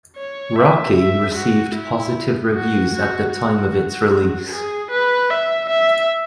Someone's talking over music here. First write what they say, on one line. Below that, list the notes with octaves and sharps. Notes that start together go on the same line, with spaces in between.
"Rocky" received positive reviews at the time of its release.
C#5
E5
E5
F#4
E4
F#4
F#4
F#4
G#4
B4
E5
E5